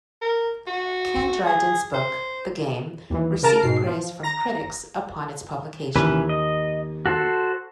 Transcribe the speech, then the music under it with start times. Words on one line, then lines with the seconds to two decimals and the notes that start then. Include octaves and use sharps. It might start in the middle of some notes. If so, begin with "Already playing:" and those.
Ken Dryden's book "The Game" received praise from critics upon its publication.
0.22 A#4
0.67 F#4
1.46 G#4
1.94 C5
3.10 D#2 E3
3.43 C#3 A#4 A5 A#5 F6 D7
3.62 G#2 B2 C7
3.86 F3
4.23 A#5 A#6
5.96 D#2 E3 C#4 B4
6.29 D#5
7.06 F#4 A4 C5